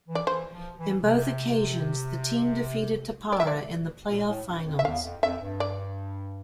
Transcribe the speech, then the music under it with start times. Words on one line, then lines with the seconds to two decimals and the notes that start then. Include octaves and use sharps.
In both occasions, the team defeated Tappara in the play-off finals.
0.08 E3
0.15 D5
0.27 E3 C5
0.53 F3
0.78 E3
1.03 C3
3.32 D5
3.40 E5
3.47 D5
4.09 A#2
4.28 A2
4.47 G2
4.66 F2
4.79 E5
4.85 E2 F5
5.04 F2
5.23 F2 E5
5.42 G2
5.60 D5